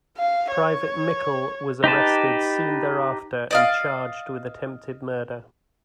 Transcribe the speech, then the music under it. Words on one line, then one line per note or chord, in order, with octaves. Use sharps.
Private Mikel was arrested soon thereafter and charged with attempted murder.
F5
C#5
D#4 G4 B4 A5
D5 D#5 F5